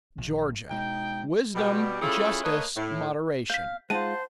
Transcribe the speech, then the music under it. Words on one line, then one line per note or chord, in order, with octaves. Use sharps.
Georgia--Wisdom, Justice, Moderation.
A#1
B2 G#3 D#4 G5
B2 G3
G3 C#4 E4 F4 G#4 A4
A3 A#3 B4 C#5 D#5
A2
F5 G6 B6
G#3 D#4 F4 C5 F#5 A5 D#7